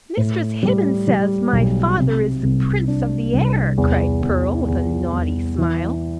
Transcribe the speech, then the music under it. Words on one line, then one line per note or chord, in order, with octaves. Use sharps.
"Mistress Hibbins says my father is the Prince of the Air!" cried Pearl, with a naughty smile.
A2
G3
G3
B1
C3
C2
D4
C2
E2
E2
E2
E2
E3